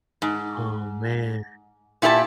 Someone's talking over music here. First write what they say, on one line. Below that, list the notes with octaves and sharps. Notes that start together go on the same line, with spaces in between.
Oh, man.
G#2
A#2 E4 G4 A#4 A5